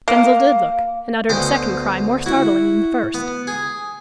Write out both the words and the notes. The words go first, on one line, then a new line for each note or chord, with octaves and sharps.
Denzil did look, and uttered a second cry more startling than the first.
A#3
D2 B2 C5 G5
E4 F#4
B3
G#4